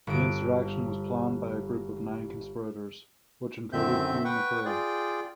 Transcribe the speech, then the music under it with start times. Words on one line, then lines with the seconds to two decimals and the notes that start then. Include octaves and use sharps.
The insurrection was planned by a group of nine conspirators which included Hugh MacRae.
0.07 G1 D7
3.73 F#2 D3 D#3 C4 E5 G6
4.25 B4 F#5 G5 C#6
4.65 F4 G#4 D5 G5